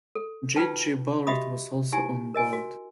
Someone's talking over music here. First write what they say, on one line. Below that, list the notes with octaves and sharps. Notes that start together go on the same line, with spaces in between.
J. G. Ballard was also on board.
A4
D#4 F4 F#4 B4 G5 A5
F#4 G4 D#5 E5 B5 D#6
D#4 E4 G4 G#5
A#4 D#5 G#5
F#4